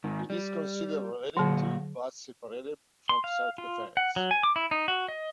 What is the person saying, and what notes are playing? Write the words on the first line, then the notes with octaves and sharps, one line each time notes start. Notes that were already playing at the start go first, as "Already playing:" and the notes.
It is considered related to but separate from self-defence.
G#2 D#3
G3
A#2 D3 F#3 F#4
C6
F5
F4
F#5
F#3
G#5
D6
E4
D#4
F#4
D#5